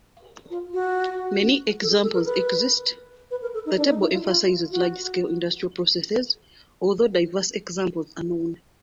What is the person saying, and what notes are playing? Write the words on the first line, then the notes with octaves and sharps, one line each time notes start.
Many examples exist, the table emphasizes large-scale industrial processes, although diverse examples are known.
F4
F#4
A4
G#4
A4
A#4
B4
B4
A#4
A4
D#4
D4
D#4
E4
F4
F4
F#4